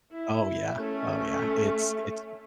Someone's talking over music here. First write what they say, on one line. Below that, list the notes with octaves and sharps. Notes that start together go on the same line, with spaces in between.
Oh yeah, oh yeah, it's it's
E4
A3 C#4